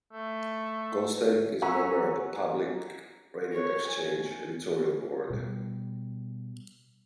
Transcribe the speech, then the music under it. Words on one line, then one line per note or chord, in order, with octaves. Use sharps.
Goldstein is a member of the Public Radio Exchange editorial board.
A3
F#5 G#5 A#5 C#6 E6 B6
C#5
G#5
B2 G3